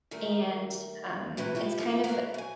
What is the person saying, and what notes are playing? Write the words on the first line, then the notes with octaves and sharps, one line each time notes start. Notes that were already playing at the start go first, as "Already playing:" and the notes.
and, um, it's kind of
D#3 G3 A3 A#4
A2 C3 E3 F#3
F3 E4 G4
F3 A3 A#3 E4
D2 A#3 B3 A#4 F5
F#3 G#5